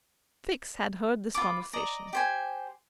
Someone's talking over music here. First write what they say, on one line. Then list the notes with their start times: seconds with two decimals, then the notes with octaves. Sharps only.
Fix had heard this conversation.
1.34 F4 B5 D6
1.73 D5 D#5 A#5
2.13 G4 C5 G#5